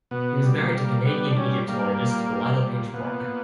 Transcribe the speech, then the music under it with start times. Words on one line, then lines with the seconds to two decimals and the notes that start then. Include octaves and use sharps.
He was married to Canadian Egyptologist Lyla Pinch Brock.
0.11 B2 B3
0.43 G3
0.58 A#3
0.73 G3
0.84 A#3
1.05 G3 B3
1.31 D4
1.37 G3 C#4
1.68 G3 A#3
2.00 A#2
2.31 G3
2.63 A#2
2.94 A#2 B3
3.25 A#2